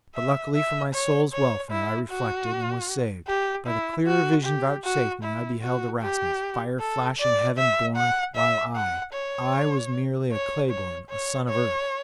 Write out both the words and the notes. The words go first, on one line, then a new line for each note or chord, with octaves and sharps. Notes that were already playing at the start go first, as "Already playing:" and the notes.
But, luckily for my soul's welfare, I reflected and was saved. By the clearer vision vouchsafed me, I beheld Erasmus, fire-flashing, heaven-born, while I--I was merely a clay-born, a son of earth.
E5
E5
C#5
C#5
E4
F#4
G4
E4
F#4
G4
F#4
E4
F#4
G4
A4
D5
E5
F#5
E5
F#5
C#5
C#5
C#5
C#5
C#5